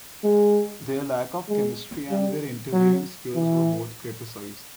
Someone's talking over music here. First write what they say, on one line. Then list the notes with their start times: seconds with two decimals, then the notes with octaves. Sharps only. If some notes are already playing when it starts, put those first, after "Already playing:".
Their lack of chemistry and their interviewing skills were both criticized.
0.24 G#3
1.49 G#3
2.10 G3
2.73 F#3
3.35 E3